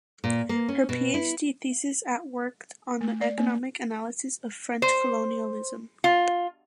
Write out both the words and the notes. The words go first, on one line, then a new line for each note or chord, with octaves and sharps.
Her PhD thesis at worked on the economic analysis of French colonialism.
A#2
A#3
C#4
B2
E4
A3
D5
A#3
C5
F4